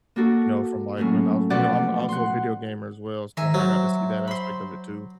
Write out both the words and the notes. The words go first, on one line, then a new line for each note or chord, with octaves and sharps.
you know, from, like, when I was you know, I'm also a video gamer as well, so, like, I got to see that aspect of it too,
A#3 D4 F#4 A4
A2 F#3 A3 A#3 C#4
B2 F3 B3 B4 D5 F#5
F#5 C6
D#3 E5 G#5 A#5
F#3 C5
B5 C6